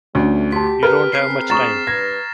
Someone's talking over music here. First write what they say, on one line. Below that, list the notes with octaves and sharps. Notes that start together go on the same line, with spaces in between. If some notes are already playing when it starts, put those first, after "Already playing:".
You don't have much time.
D2 G3 A3 C#4 D4
G4 A5 C6 B6
A#4 B4 F6
C4 G#4 F6 B6 C7
A#5 C#6 D#6 A6 E7
G2 B4 G#6 A#6